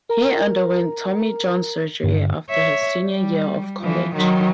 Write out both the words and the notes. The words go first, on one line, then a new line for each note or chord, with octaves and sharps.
He underwent Tommy John Surgery after his senior year of college.
A#4 A#5
G2 D3
C#5 E5
G3
E3 F3
D#3 F#3